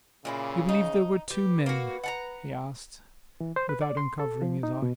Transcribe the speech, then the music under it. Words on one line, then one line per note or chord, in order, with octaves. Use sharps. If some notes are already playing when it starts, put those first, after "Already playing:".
"You believe there were two men?" he asked, without uncovering his eyes.
A#2 C#3 A#3 E4
D#4
G4 B4
A#3 F#4
F#5 A5 A#5
E3
C5
B4
D5
C6
A4
F3
D#4
B2